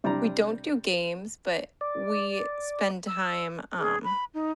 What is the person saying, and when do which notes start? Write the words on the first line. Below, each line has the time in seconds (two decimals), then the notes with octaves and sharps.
we don't do games, but we spend time, um
0.04 C3 G3 D4 D5 A#5
1.81 D5
3.07 E6
3.79 G#4
4.04 B5
4.34 D#4